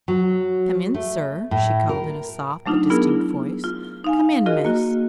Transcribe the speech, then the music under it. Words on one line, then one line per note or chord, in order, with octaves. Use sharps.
"Come in, sir," she called in a soft but distinct voice; "come in, miss."
F#3
A3
A2
A#4
F#3 A3 D4 D#4 F4
B3 D4 E4 F4 G#4 A#4
F4
D#4 F5 G#5
F4 F#4 G#4 A#4 D#5
A#3 F#4